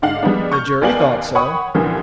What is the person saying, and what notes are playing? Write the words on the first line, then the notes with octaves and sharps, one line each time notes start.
"The jury thought so."
G#2 D3 D4 F5 F#5 F#7
F3 G3 G#3 B3 D4
C#6 F6 G6
D#2 B3 D5 F5 G#5 F#7
C#5 F#5 G5 B5 C#6 D#6
C2 A#2 D3 E3 F3 A#3